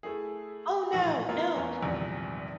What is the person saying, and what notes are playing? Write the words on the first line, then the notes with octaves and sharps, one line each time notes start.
Oh, no, no.
A3 E4 G#4
A#1 A2 E3
A#3 B3 E4 F4
E2 E3 A#3 B3 C#4
A#1 E2 G#2 C3 D#3 G3